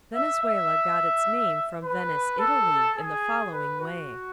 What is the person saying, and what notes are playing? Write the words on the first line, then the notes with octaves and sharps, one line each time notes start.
Venezuela got its name from Venice, Italy, in the following way.
E5
E5
B4
A4
G#4
B4
F#4